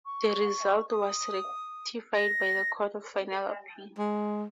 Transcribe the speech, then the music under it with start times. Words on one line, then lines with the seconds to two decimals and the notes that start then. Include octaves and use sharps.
The result was ratified by the Court of Final Appeal.
0.05 C#6
0.89 D#6
2.14 A#6
3.98 G#3